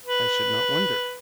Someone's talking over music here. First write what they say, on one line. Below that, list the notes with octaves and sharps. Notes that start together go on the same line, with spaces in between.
I should not wonder.
B4